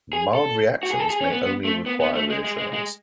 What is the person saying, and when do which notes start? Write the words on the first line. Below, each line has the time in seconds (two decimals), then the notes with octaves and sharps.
Mild reactions may only require reassurance.
0.13 G#4
0.35 A4
0.83 F#4
0.91 G#4
0.99 A4
1.10 G#4
1.21 C#4
1.32 B3
1.43 B3
1.65 A3
1.86 B3
2.01 B3
2.15 A3
2.30 G#3
2.44 G#3
2.58 G#3
2.73 G#3